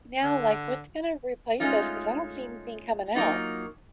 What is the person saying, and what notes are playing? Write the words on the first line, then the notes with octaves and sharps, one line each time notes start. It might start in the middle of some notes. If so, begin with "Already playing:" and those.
now, like, what's gonna replace those, 'cause I don't see anything coming out.
D3
G#3 A3 C#4 D#4 F4
F#3 A#3 D#4 F4